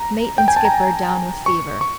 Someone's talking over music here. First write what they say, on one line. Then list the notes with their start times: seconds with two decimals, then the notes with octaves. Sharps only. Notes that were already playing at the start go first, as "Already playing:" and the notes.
Mate and skipper down with fever.
Already playing: A#5
0.38 G5
0.48 G#5
0.56 A5
0.65 A#5
1.46 C#6
1.81 C#6